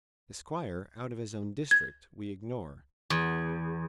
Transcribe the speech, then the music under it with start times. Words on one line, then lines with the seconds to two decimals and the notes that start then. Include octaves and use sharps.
The Squire, out of his own district, we ignore.
1.71 G#6
3.10 E2